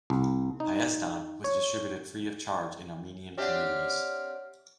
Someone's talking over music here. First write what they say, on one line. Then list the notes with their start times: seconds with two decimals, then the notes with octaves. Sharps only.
"Hayasdan" was distributed free of charge in Armenian communities.
0.10 C2
0.60 D#4
1.44 C#5
3.38 C4 D4 G4 C#5 E5 F#5 F6